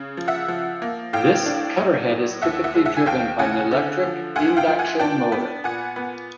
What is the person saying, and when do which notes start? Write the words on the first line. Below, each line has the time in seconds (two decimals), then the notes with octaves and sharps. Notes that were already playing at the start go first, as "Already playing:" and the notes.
This cutter head is typically driven by an electric induction motor.
Already playing: C#3
0.17 F3
0.28 E5 F#5
0.48 F3
0.82 A#3
1.13 A2 F5 G5
1.46 D4
1.77 F#3
2.10 A2
2.42 D#2 E5 F#5
2.64 E5 F#5
2.75 G#3
2.86 E5 F#5
2.97 G#5
3.06 D#2 F5 G5
3.38 C#3 F#5 G#5
3.71 D3
4.03 F3
4.36 D2 F#5 G#5
4.57 F5 G5
4.68 F3
4.79 F#5 G#5
4.99 D4 G5 A5
5.32 B3
5.64 A#2 F#5 G#5
5.96 B3